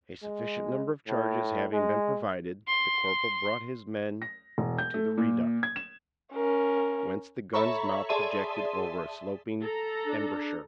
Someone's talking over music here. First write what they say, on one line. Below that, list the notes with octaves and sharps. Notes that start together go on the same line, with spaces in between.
A sufficient number of charges having been provided, the corporal brought his men to the reduct, whence the gun's mouth projected over a sloping embrasure.
G#3
A2
G#3
C6
A#6
E1
G6
A3
A#2
G#6
E7
C#4 A#4
A4 C#5 E5 A#5 B5 C#6
G#4 D5 E5 A5 C6 D#7
A4 A#5
D4